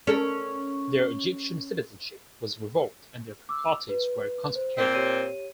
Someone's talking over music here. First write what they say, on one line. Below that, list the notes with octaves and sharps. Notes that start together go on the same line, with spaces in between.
Their Egyptian citizenship was revoked and their properties were confiscated.
C#4 A4 A#4
D6 E6
B4
C5
A#2 C4
G4 C#5 D#7